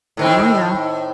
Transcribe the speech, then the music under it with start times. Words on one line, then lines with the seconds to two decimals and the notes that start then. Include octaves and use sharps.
Oh, yeah.
0.17 A2 D#3 C4